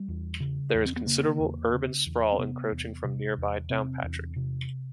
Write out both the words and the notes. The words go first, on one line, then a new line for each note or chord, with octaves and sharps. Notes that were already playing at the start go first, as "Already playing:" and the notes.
There is considerable urban sprawl encroaching from nearby Downpatrick.
Already playing: G3
E2
C#3
E2
C4
B3
C#3 A#3
E2
C#3
E2
C4
C3 B3
E2
C3
E2
C3 C4
E2
C3